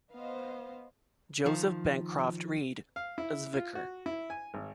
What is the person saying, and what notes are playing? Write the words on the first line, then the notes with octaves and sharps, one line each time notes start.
Joseph Bancroft Reade as vicar.
B3 C5 D#5 F5
D#3 F3
F5
E4
F4
F#4
E4
G#5
G#1